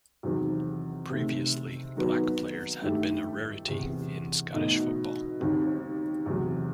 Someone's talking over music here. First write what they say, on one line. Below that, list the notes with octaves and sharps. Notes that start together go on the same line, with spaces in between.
Previously, black players had been a rarity in Scottish football.
E2 C3 D#3 F#3 C4
C3 D#3 A3
D#3 F#3 B3 F#4
G2 D#3 A3 E4 G4
E2 C3 E3
B2 A3 D#4 F#4
D#2 D#3 G3 C4
E2 C3 F#3